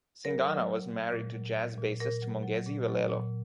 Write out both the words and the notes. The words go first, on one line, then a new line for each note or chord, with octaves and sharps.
Singana was married to jazz bassist Mongezi Velelo.
F#3 A#4
F#3
F#3
A#2
A#2
F#3
A#2
A#2
A#2 A#4
F#3
F#3
A#2
F#3
A#2